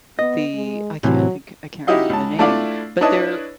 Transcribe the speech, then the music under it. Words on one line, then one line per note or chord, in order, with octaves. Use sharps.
the I can't think. I can't remember the name. But they're
B3 D#5
G#3
A2 C3 E3 F#3
D#4 E4 F#4 G4 D#5 F5
C#2 A5
A3 D4 E4 F4 D5 F5
D4 E4 B4 C#5 D#5 A5